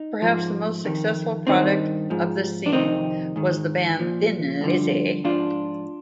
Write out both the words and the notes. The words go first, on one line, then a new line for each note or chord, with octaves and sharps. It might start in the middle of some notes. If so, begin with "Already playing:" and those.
Perhaps the most successful product of this scene was the band Thin Lizzy.
Already playing: D#4
G#2 F3
F2 D#3
G2 D#3 C4 D#4
G#2 F3
D4
F2 C3 D#3 C4 D#4
G#2 D#3
A#2 F3
G2 D3 F3
G#2 F3 D4 F4